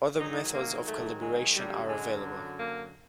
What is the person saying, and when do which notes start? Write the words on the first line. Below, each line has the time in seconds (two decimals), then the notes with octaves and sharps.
Other methods of calibration are available.
0.20 G#2 D#3 F#3 D#4
0.54 A#3
0.88 A3
1.22 G#3
1.55 F#2 D3 F#3 G3
1.89 G#3
2.58 A#3